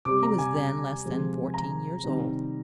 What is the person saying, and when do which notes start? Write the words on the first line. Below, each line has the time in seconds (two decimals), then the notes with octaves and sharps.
He was then less than fourteen years old.
0.05 C3 G3 D6
0.23 A#5
0.39 G#5
0.56 G#5
1.05 C3 F3 G#3
1.54 A#5
2.04 C3 D#3 G3